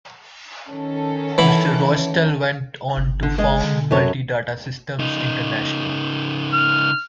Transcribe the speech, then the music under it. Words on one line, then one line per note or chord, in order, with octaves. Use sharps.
Mr. Roestel went on to found Multidata Systems International.
D#3 C#4 A4
E3 B5
G1
D3
G#3 D#5
D3
F#2 A4 C#5
C#3 D#4
F6